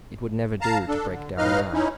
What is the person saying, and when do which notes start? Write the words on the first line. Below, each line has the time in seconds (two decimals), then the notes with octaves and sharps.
It would never do to break down now.
0.61 F5 A5 A#5
0.88 D4 A4
1.10 D3
1.38 A2 D#4 B4 D#5 F5 F6
1.73 C#4 D#4 E4